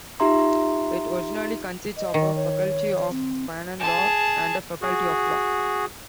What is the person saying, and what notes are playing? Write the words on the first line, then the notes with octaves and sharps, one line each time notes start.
It originally consisted of a faculty of Canon Law and a faculty of Law.
D#4 F4 G4 E5 A#5 C6
D#5
D#3
C#5
C4
G#4 A5
F#4 G#4